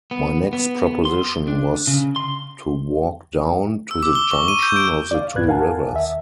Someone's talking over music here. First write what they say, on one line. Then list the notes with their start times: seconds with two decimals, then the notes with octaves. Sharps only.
My next proposition was to walk down to the junction of the two rivers.
0.11 B3
0.53 B3
0.86 B3
1.05 C6
1.48 D4
1.87 C#3
2.16 C6
3.91 E6
4.03 D6
4.15 G7
4.31 C#6
4.48 D#7
4.63 G6
4.76 D7
5.11 D5 F5
5.34 C#2 G#2 B4 F#6 G#6
5.48 A#4 F5 F#5 G#5 A5
5.93 D#2 E5